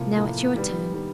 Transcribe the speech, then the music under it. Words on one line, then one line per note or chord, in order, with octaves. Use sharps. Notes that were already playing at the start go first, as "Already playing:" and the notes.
Now it's your turn.
Already playing: A2 C3 F3 A#3
A2 F3 A#3
D#3 G3 B3
D#3 G3 B3